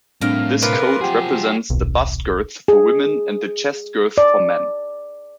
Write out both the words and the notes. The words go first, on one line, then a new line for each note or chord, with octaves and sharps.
This code represents the bust girth for women and the chest girth for men.
A2 G3 C4 D4 A#4 F5
C3 F4 A#4 B4
F3 F#3 G4 G#4 F#5 G5
D#1 B1
G#4
D5